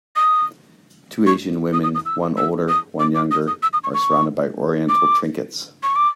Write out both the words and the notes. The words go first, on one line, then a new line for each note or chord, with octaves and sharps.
Two Asian women, one older, one younger, are surrounded by oriental trinkets.
D#6
C#6
D#6
D#6
D#6
E6
E6
D#6
D6
D6
D#6
D#6
E6
D#6
C#6
C#6
D6
C#6
D6